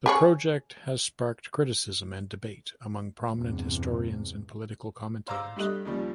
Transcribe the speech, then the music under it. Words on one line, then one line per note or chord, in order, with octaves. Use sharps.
The project has sparked criticism and debate among prominent historians and political commentators.
G4 G#4 C#5
E2 G2 C3
C5 F5 A#5 D6 E6
G2 G3 A3 G4 D#5 F#6
D#2 C#3 F3 G3